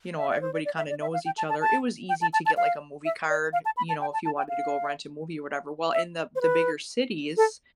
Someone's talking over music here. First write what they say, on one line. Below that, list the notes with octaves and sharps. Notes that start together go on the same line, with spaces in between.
you know, everybody kinda knows each other. It was easy to get, like, a movie card, you know, if you wanted to go rent a movie or whatever. Well, in the the bigger cities,
E5
D5
C5
D5
D5
E5
D5
E5
F5
G5
A5
A5
A5
G5
A5
A5
A5
F5
E5
D5
F5
A5
B5
A5
G5
A5
A5
G5
F5
E5
C5
B4
A4